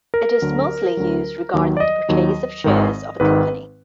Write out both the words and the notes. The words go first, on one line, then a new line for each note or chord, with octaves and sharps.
It is mostly used regarding the purchase of shares of a company.
A#4
D2 D3 F#3
D2 D3 F#3
D#2 D#3 F#3
D5
D#5
D#2 D#3 F#3
G#1 G#2 D#3
G#1 G#2 D#3 B4